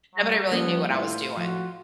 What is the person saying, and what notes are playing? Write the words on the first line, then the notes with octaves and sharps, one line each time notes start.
Nobody really knew what I was doing.
F#3 G3
F3 A#3 B3 C#4 A4
A2 E4 F4 B4
F3 F#4